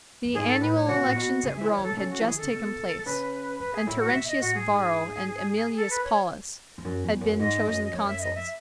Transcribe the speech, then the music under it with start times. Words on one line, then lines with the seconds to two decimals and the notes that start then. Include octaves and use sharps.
The annual elections at Rome had just taken place, and Terentius Varro and Emilius Paulus had been chosen consuls.
0.24 F#2
0.34 G#2 G#4
0.48 A4
0.61 A2 B4
0.75 C#5
0.88 C#3 F#4
0.97 B2
1.06 A2
1.14 B2 F#4
1.42 C#3 G#4
1.57 E3 E5
1.69 C#5
1.78 E3
1.83 A4
1.91 B2
1.96 C#3 A4
2.10 F#4
2.21 E3 G#4
2.31 D#3
2.38 C#3 A4
2.51 B2
2.79 B2
2.97 B2
3.05 C#3 B4
3.60 F#2 B4
3.74 G#4
3.87 A2 E4
4.00 F#4
4.13 B2 E5
4.27 D#5
4.41 A2 F#4
4.54 G#4
4.68 G#2
5.77 A4
5.90 B4
6.04 C#5
6.78 E2
6.85 F#2
7.04 E2
7.21 F#2
7.39 G#2 D#5
7.66 F#2 D#5
7.84 D#5
7.94 F#2 C#5
8.08 E5
8.21 D#5
8.35 E5